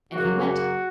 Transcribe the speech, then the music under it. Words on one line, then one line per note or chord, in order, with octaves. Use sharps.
And he went.
F#2 C#3 F#3 A#3 F#4
F#4